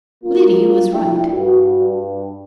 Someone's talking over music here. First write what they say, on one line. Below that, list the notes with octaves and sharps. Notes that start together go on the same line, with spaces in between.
Liddy was right.
F#2 D#3 A#3 D4 F4
F3 D4 E4 F#4 A4 G5
G2 F#4
G2